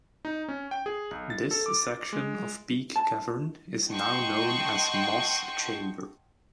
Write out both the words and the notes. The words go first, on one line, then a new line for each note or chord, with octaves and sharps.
This section of Peak Cavern is now known as Moss Chamber.
D#4
C#4
G5
G#4
B1
A6
A4
D6
G#3
A5
D#5 F#5 G5 A5 C6 C#6